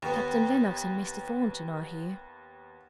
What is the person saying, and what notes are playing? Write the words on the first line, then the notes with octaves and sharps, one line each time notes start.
Captain Lennox and Mr. Thornton are here.
D#2 B3